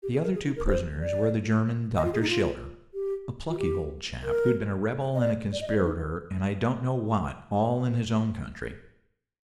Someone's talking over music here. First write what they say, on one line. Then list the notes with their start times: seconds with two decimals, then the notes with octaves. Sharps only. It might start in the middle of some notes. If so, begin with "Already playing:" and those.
The other two prisoners were the German Dr. Schiller--a plucky old chap, who'd been a rebel and a conspirator and I don't know what all in his own country.
0.03 G4
0.14 G#4
0.24 A#4
0.35 G#4
0.46 D#4
0.56 A#4
0.67 C5
1.00 D5
1.97 D#5
2.05 F4
2.13 G#4
2.21 D#4
2.29 F4
2.94 G4
3.50 F4
3.58 G4
4.23 A#4
5.15 D#5
5.20 D5
5.53 D5
5.61 D#5
5.68 D5
5.77 C5
5.85 D#4